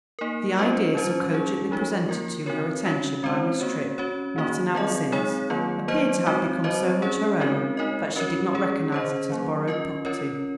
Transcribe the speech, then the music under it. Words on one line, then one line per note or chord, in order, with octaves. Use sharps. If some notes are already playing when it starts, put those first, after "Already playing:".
The idea so cogently presented to her attention by Miss Tripp not an hour since appeared to have become so much her own that she did not recognise it as borrowed property.
A#3 D#4 A#4
C#4 F4 C5 D#5
F#3 C#4 F4 C5
F#3 C#4 G#4
F3 G#3 D#4 F#4
A#3 F4 A#4
C4 D#4 F#4 A#4 C#5
C#4 F#4 C#5
G#3 C4 F4 C5
A#3 C#4 F#4 C#5
C#4 F#4 C#5
D#3 A#3 D#4 F#4
F#3 C4 F4 G#4 D#5
G#3 C4 D#4 G#4 C#5
D#3 F#3 A#3 F4
F#3 A#3 F4 C5 D#5
G#3 C4 D#4 F#4
F#3 C4 F#4 C5 D#5
C#4 G#4 C#5
G#3 C4 D#4 F#4 A#4
G#3 D#4 A#4 D#5
C#4 F#4 A#4 C#5
G#3 C#4 G#4 C#5
C#4 G#4 C5 D#5
D#3 F#3 A#3
C#4 F4 A#4 D#5
C#4 F4 A#4 C#5